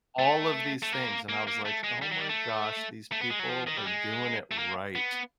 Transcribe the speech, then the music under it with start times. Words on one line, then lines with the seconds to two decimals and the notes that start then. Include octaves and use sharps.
all of these things, and I was like, "Oh my gosh, these people are doing it right."
0.19 A3
0.83 A3
0.93 A#3
1.29 A#3
1.47 A#3
1.65 A3
1.84 G#3
2.02 G3
2.11 F#3
2.20 G3
2.29 A3
3.12 A3
3.21 B3
3.30 G#3
3.39 F#3
3.49 F3
3.67 D#3
3.77 G3
3.85 G#3
4.51 A3
4.58 A#3
4.95 B3